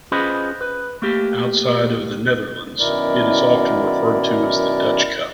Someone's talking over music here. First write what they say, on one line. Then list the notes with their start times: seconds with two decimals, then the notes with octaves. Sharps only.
Outside of the Netherlands, it is often referred to as the Dutch Cup.
0.12 C#4 F4 G#4 B4 C5 D#5
0.61 B4
1.02 A3 A#3 G4
2.79 F#2 B2 D#3 E4 A#4 D5